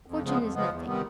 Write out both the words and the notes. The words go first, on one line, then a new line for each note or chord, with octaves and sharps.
Fortune is nothing.
F2
C#3 F3 G#3 B3
F2
C#3 F3 G#3 B3
E2
C3 D#3 G3 B3